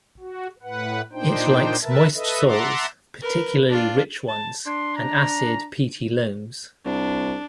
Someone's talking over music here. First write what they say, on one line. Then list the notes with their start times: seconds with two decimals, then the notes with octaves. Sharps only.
It likes moist soils, particularly rich ones, and acid peaty loams.
0.20 F#4
0.63 A2 B4 F#5
1.13 A#2 D4 D#4 C5 G5
1.82 A#4 B4 E5 A5
2.14 A4 B4 D#5 E5
2.45 E5 F#5 A5 A#5 C6 D6
3.22 A#4 B4
3.69 D4 F4
4.28 A5
4.67 D4 C6
4.96 A#5
6.85 C2 D4